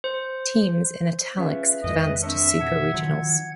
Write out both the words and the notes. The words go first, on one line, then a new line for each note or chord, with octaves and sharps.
Teams in italics advanced to Super Regionals.
C5
C#4 F4 G#4 B4 E5
F2 D#3 G#3 D#5 G5
C4 D4 A#4 C#5 E5
B2 F#5 G#6
D#2 D#3 F3 F#3